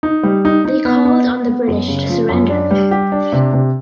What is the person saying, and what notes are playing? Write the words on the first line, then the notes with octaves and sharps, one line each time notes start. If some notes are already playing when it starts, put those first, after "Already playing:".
They called on the British to surrender.
D#4
G3
D#4
D#4
B3
B3
B3
B3
F#2
C#3
F3
F#2
D4
G3
G4
D4
C3
C3